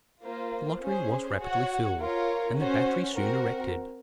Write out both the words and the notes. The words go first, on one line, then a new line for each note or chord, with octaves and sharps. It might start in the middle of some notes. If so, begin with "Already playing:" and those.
The lottery was rapidly filled, and the battery soon erected.
A#3 F4 C5
C#4 G#4 C5
F#4 C#5 F#5
F4 A#4 C#5
C#4 F#4 C5
C4 F#4 A#4